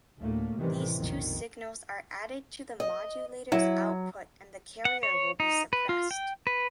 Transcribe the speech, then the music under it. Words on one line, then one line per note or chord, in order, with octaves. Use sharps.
These two signals are added to the modulator’s output and the carrier will be suppressed.
D2 A2 A3 A#3
A1 C3 D#3 E3 G3 C4
B1 F2 D3 D#3
D#5
F#3 E4
F#5
C#5
D#4
B4
F4
G5
B4